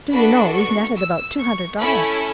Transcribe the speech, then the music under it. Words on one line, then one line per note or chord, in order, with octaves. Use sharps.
Do you know, we've netted about two hundred dollars.
B3 D4 F#4 A4 B5
C#6
E6
C#6
A3 C#4 E4 A4 B5